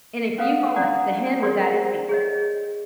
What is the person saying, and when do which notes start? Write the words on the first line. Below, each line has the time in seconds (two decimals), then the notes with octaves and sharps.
In a few moments the hen was at his feet.
0.38 C#4 B4 F5 F#5 D#6
0.76 C#4 D4 D5 F#5 A#5 D#6
1.42 G#4 A#4 C5 D5 C6
2.09 G#4 C#5 D#5